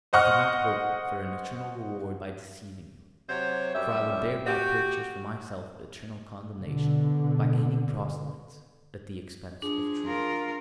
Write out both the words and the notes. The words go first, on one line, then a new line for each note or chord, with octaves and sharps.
I could not hope for an eternal reward by deceiving you, for I would thereby purchase for myself eternal condemnation by gaining proselytes at the expense of truth.
C5 D#5 F#5 C#6 F6
C3 F#3 C5 C#5
F#2 G3 C#4 E5
F#4 G4
B2 D3
F3 D4 G#4
F4 A#4